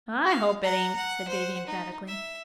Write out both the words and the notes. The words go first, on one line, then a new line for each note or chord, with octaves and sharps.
"I hope it ain't," said Davy emphatically.
F5
F#5 A#5
F#5
C5 F#5
D#4
E5